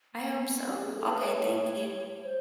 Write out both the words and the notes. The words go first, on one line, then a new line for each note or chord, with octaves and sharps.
I hope so. Okay, thank you.
A#3
B3
C4
C#4
G4
G#4
A4
B4
C#5
C5